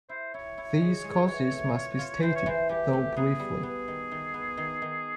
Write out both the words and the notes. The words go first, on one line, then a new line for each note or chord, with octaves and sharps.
These causes must be stated, though briefly.
E4 C5
E4 C#5
E4
G#3
G#3
E3
A3
F4
F4
E3 C5
C#5
E3 C5
E3 G4
A3
B3 G#4
G3
B3 G#4
D#3
D#3
B3
D#3
D#3